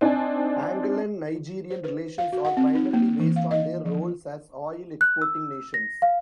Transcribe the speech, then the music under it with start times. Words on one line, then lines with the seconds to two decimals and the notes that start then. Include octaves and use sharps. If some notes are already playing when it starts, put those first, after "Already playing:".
Angolan-Nigerian relations are primarily based on their roles as oil exporting nations.
0.01 C4 D4 D#4 D5 G#5
1.70 C5
1.84 B4
2.18 F5
2.32 F#4
2.45 F#5
2.57 C4
2.75 D#4
2.93 A#3
3.20 E3
3.36 F5
3.51 D#5
3.85 F3
5.01 F#6
5.22 E6
5.74 A#6
6.02 F5